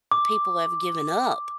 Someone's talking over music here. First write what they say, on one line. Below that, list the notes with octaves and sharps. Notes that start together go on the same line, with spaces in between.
people have given up,
D6